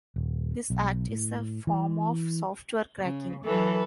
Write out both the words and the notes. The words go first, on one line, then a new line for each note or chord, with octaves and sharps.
This act is a form of software cracking.
D#1
B1
A2
E3
C#3
E3 F#3 A4 B4